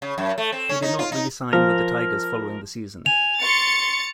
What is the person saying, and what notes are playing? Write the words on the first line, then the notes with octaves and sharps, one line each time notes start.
He did not re-sign with the Tigers following the season.
C#3
F#2
A3
C4
C#4
D#4
F4
D#4
F3 A#4
G#5 F7
C6 C#6 A6 C#7